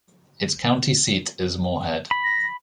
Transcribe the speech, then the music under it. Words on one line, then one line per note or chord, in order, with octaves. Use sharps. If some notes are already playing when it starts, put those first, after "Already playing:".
Its county seat is Moorhead.
B5
A#6